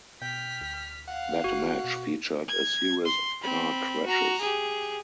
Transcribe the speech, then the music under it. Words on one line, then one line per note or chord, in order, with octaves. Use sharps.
That match featured "a series of car crashes".
B2 G5 F6 B6
D2
F5 F#5 C7
F#1 F#4
B2
G#6
C6
C4 B5
F#4 A#5
G4 G#4